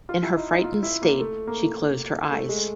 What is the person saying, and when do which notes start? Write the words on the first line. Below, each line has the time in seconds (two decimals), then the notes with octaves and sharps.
In her frightened state, she closed her eyes.
0.09 F4
0.23 E4
0.37 D#4
0.51 D#4
0.64 F4
0.83 E4
1.02 A#3
1.20 A3
1.47 A#3
2.31 A3
2.49 G#3